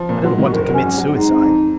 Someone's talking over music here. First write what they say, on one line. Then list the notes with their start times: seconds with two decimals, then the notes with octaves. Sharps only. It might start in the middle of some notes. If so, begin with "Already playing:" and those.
"I do not want to commit suicide."
Already playing: F3
0.09 A#2
0.24 F#3 F4
0.34 G#3
0.38 D#3
0.43 F#4
0.53 F#1 A#4
0.63 A#4
0.69 F#3 C#4
0.83 G#1
0.98 F#3
1.13 G#3 D#4
1.27 C4
1.42 F2